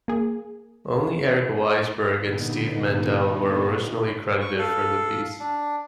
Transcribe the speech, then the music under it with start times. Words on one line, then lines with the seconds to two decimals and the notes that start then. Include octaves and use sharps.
Only Eric Weissberg and Steve Mandel were originally credited for the piece.
0.08 A#3 G#4
2.08 A#2 D3 B3 D#4
4.41 C#6
4.59 A4 F5
5.40 D4